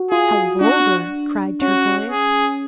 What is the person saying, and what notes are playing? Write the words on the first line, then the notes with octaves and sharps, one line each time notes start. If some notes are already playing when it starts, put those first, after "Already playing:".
"How vulgar!" cried Turquoise.
Already playing: F#4
F4 G#4
D4 F#4
C#4 F#4
G#4